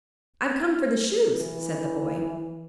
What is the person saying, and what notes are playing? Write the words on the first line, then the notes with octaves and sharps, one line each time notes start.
"I've come for the shoes," said the boy.
E3